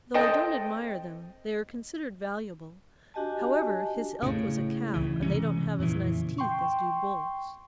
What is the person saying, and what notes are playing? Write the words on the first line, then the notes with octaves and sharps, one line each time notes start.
Though I don't admire them, they are considered valuable; however, his elk was a cow, and they don't have as nice teeth as do bulls.
C4 A4 D#5 G5
D4 F#4 G4 D#5 G#5 A5
A2 C#3
C#2 C#3 E3
C3 E3 G#3 C#4
F2 A#2 C#3 E3
G5 C6 C#6